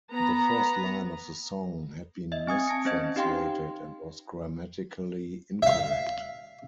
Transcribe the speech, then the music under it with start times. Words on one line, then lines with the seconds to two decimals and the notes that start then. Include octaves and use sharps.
The first line of the song had been mistranslated and was grammatically incorrect.
0.12 B3 A#5
2.32 D#5 E5
2.47 C4 G#5 D#6 G#6
2.68 A5 A#6 C#7
2.85 C4 C#4 C5 D#5 G#6
3.16 D#4 G4 F5 G5 C6
5.62 E5 F5